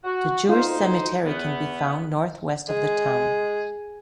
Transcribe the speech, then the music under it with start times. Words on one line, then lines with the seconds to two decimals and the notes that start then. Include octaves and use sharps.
The Jewish cemetery can be found north-west of the town.
0.04 F#4
0.49 D2 D#4 F4 C5
1.25 E2 B3
2.69 G#3 G#4